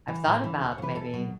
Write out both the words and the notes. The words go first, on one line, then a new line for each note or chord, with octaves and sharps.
I've thought about maybe
E3
A2
E3
D2
C#5
C#3
E3 B4
E2 A4
B2 F#3